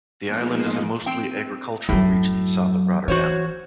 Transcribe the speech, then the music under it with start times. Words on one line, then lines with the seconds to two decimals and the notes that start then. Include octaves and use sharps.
The island is a mostly agricultural region, south of Rotterdam.
0.25 F3 G#3 A#3 B3 D#4 F4
1.06 C4 G5
1.89 F#2 A2 F#3
3.08 E3 F#4 C5 C#5